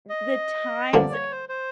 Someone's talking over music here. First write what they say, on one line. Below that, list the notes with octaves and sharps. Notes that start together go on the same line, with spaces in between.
the times, eh
D#5
G2 D3 F3 A#3 D5
C#5
C5
C5